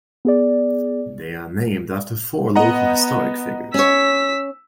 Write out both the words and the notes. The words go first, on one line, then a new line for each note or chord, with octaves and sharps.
They are named after four local historic figures.
B3 G#4 D5
B3 D#5 F#5 A#5
C#4 C#5 E6 B6